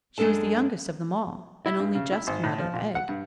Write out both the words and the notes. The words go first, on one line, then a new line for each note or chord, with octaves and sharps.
She was the youngest of them all, and only just come out of the egg.
F#2 G#3 D4 A4 A5
E4
G2
C#3
E4
G#1
A2
F3
A#2
F#5
G2